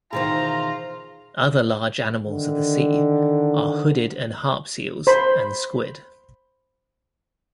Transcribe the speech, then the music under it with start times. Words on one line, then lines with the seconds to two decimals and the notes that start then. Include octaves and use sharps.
Other large animals of the sea are hooded and harp seals and squid.
0.13 B2 D#3 E3 F4 G#4 C5 A#5
2.27 D3 D#3
5.07 C5 B5